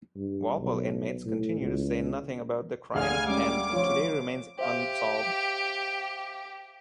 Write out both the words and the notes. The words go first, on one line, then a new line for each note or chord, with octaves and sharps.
Walpole inmates continue to say nothing about the crime and it today remains unsolved.
G2
B1
A2
C#2
F1 D2 D3 G#4 F5 G#5 F6
G3 G#3 C#4 D6
F3 F4 C#5
G4 C5 E5 F5